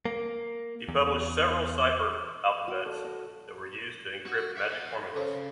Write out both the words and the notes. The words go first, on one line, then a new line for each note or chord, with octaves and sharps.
He published several cipher alphabets that were used to encrypt magic formulas.
A#3
E2
F#4
A4
D#5
F#4
E5 F#5
C#3 A4 C5 C#5